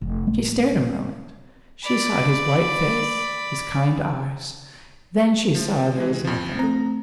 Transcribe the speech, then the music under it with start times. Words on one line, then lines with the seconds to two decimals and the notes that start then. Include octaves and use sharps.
She stared a moment; she saw his white face--his kind eyes; then she saw there was nothing.
0.01 F1
0.27 A1
1.84 D5 B5
5.55 F3
5.98 E3 G#3
6.25 F2 F3
6.59 A3 C4 A#5